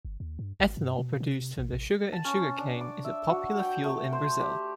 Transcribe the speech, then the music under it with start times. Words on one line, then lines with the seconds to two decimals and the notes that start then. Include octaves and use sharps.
Ethanol produced from the sugar in sugarcane is a popular fuel in Brazil.
0.05 G1
0.20 D#2
0.39 G2
0.60 G#1
0.77 G2
0.98 B2
1.20 C3
1.58 A1
1.72 A1
2.13 A5
2.25 C#4
2.58 D4
2.81 D6
3.05 E5
3.30 F#4
3.59 G5
3.84 A3
4.13 C5
4.40 G4